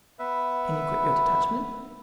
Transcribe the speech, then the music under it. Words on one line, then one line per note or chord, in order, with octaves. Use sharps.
"Can you quit your detachment?"
B3 B4 E5